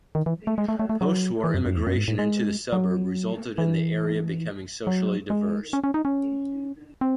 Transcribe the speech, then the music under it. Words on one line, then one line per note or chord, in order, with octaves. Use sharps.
Postwar immigration into the suburb resulted in the area becoming socially diverse.
D#3
E3
A3
G#3
A3
A3
A3
F#3
E3
F#2
F#2
E2
F#2
G#2
A2
G#3
F#3
E3
F#3
G#3
C#4
C#4
D#4
C#4
C4